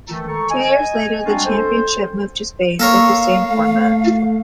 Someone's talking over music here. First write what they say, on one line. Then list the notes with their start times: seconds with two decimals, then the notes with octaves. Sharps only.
Two years later, the championship moved to Spain, with the same format.
0.10 D#3 E3 A3
0.28 G#3 A4 A#5 C#6
0.51 D#5 G#5
1.26 G3 G#3 C4 D4 F4 F#4
1.46 A4 C5
2.80 A#3 A4 A#4 C#5 F5
3.50 A3